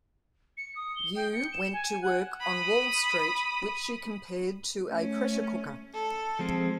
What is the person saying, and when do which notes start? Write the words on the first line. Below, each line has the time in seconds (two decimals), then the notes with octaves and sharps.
Yu went to work on Wall Street, which she compared to a pressure cooker.
0.57 C#7
0.76 D#6
0.96 G7
1.16 G5
1.33 C#7
1.53 E7
1.73 G#5
2.02 F#5
2.40 B5 D#6
4.88 A3 C#4
5.94 A4
6.39 F3 G#3 C4